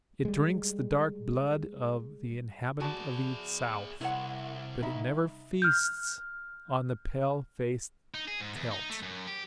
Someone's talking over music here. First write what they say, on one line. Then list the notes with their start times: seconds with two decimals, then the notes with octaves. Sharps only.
It drinks the dark blood of the inhabitant of the south, but it never feasts on the pale-faced Celt.
0.25 G3 G#3
2.81 F#4 G#4 D5 A5 B5
4.01 C2 E4 C#5 F#5
4.82 D#4 E5 B5
5.62 F6 G6
8.14 D#4
8.28 G#4
8.40 G#2
8.56 E2
8.71 D#4
8.90 A3
9.03 F#2
9.27 G4